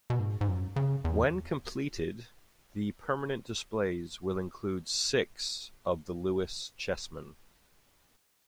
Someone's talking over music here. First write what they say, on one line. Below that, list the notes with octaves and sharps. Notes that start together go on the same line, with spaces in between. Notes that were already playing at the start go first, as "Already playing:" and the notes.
When completed the permanent displays will include six of the Lewis Chessmen.
B2
G#2
G#2
F#2
C#3
E2